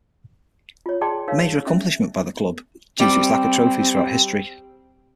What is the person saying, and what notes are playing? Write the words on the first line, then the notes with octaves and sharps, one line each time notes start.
A major accomplishment by the club due to its lack of trophies throughout history.
F4 C#5
G#4 D5 G5 A5 C6
D#4 A#4 C#5 F5
C#4 E5
G3 C4 G4